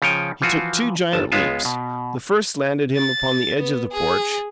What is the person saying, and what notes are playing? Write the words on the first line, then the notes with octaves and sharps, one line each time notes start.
He took two giant leaps. The first landed him upon the edge of the porch.
C#3 F3 C#5 G5 G#5
E3 F3 F4 F#4
G1 A5
C#2 G#3 B3 F4 A5
B2
A6
B3
G#4